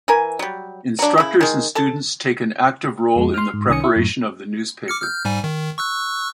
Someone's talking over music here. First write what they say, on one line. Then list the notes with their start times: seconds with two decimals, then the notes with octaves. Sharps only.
Instructors and students take an active role in the preparation of the newspaper.
0.08 E3 A#4 G#5
0.39 F#3 G3
0.99 F#3 D4
1.18 C#3 E4
1.41 D#3 G#3
1.75 A4 A5
3.16 F2 G#3
3.34 C6 F6
3.53 G#2
3.68 C2 D#3 C#4 G#5 D#6 C#7
3.84 E4
3.96 F#2 A2
4.88 D6 F6 C#7
5.01 F6 G6
5.25 G#2 G3 G#5
5.44 D#3
5.78 C#6 E6 F#6